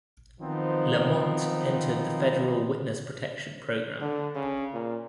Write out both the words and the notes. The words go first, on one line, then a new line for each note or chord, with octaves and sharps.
Lamonte entered the federal witness protection program.
D#3 F3 F#3 B3 C4 D#4
D3
C#3
A#2